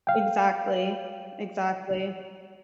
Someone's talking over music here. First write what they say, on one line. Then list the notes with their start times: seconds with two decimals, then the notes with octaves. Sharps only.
exactly, exactly.
0.07 F5 G5